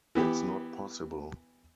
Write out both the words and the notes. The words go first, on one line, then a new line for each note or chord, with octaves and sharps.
It's not possible.
E3 B3 G4